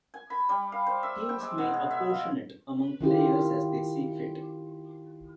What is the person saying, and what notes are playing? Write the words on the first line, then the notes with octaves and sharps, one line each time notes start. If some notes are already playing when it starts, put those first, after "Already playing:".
Teams may apportion it among players as they see fit.
G#5
B5
G3
F5
C5
E5
G5
G#3
B2
G#4
E5
F5
D#3 E4 F4 G4